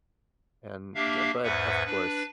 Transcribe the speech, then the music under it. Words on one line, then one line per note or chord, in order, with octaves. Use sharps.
and j but, of course,
A#3 D4 G4 E5 F5
E2 G#2 B4 E5 F#5
D4 B4